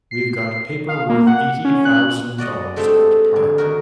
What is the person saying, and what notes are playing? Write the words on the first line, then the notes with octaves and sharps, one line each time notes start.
We've got paper worth eighty thousand dollars at par.
C7
F5
A#3
F#5
C#4
F#6
F#4 D5 D#5 F#5
G#3 A3 C4 D4 G4 G#4
D3
D#3 F#4 A#4